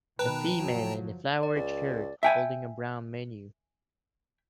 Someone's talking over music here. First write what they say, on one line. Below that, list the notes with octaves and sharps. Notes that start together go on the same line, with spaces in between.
A female in a flowered shirt holding a brown menu.
B2 D#3 B4 G5 A5 A#5
F#1 F3 F#3
D5
C#2
E5 G5 G#5